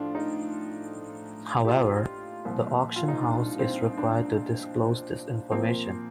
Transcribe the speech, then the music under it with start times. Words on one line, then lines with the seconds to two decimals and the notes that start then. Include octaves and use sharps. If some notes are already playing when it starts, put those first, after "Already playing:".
However, the auction house is required to disclose this information.
Already playing: A2 F3 A3 D4 F4
0.15 D#4
1.65 G4
1.69 F4
2.45 C2 A#2 F3
2.96 F4
3.08 D#4
3.22 D4
3.59 C4
3.97 D4
5.51 A#2 F3 A#3 C4